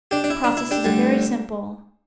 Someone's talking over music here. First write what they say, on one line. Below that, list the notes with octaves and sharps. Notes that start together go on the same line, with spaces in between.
The process is very simple.
D4 G4
D4
E4
D4
E4
D4 G4
D2 D3 G3